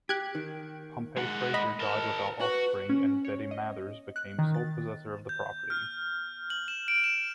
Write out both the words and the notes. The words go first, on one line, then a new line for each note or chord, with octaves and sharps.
Pompey Frazier died without offspring and Betty Mathers became sole possessor of the property.
G4 F#6 G#6
D#3
G#3 F#5
D#5 B5
A#4 A5
F#4 B4
C#4
C#5
D#5
F#6
D#3
A6
G6
F6
F#7
E7
D7
E7